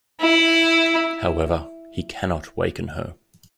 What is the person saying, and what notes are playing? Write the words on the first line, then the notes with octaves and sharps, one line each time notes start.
However, he cannot waken her.
E4